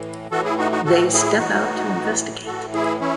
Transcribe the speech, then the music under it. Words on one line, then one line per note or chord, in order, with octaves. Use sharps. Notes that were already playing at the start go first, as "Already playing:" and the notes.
They step out to investigate.
Already playing: A2 E3
A2 E3 F#4 A4
E4 G#4
D#4 F#4
D#4 F#4
A2 E3 F#4 A4
E4 G#4
A2 E3 D#4 F#4
A2 E3
A2 E3 F#4 A4
E4 G#4
E3 C#4 E4